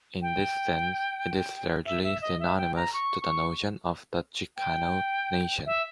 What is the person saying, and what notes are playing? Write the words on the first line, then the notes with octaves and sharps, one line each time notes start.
In this sense it is largely synonymous to the notion of the Chicano nation.
G5
E5
E5
D#5
E5
G5
A#5
C#6
C#6
G5
E5